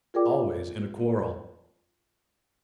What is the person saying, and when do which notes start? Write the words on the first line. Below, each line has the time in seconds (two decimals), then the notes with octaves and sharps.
Always in a quarrel.
0.14 F4 G#4 A#4 D5 G5 D6